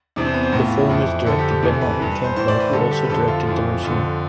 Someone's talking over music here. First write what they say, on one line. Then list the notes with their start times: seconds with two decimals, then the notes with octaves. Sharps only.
The film is directed by Martin Campbell, who also directed the original.
0.16 E2 C3 E3 D4
0.25 C4
0.34 B3
0.43 C4
0.52 A2 E3 B3
0.65 F4
0.78 E4
0.89 F2 E3
1.26 F2 D3 A4
1.38 G4
1.50 G4
1.63 E2 C3 E3
1.73 A4
1.81 B4
2.00 G2 E3 B4
2.12 B4
2.24 C5
2.36 A2 E3 C5
2.48 D5
2.56 C5
2.60 B4
2.73 G2 D3 A4
2.91 G4
3.04 B4
3.10 F2 D3 A4
3.28 F4
3.47 F2 E3
3.83 F2 D3